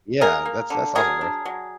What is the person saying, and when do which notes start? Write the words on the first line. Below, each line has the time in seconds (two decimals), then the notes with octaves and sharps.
Yeah, that's that's awesome, bro.
0.21 A#3 G#4 A#4
0.46 A#3
0.70 D3
0.95 F#3 G#4 A#4
1.21 D4
1.46 F#3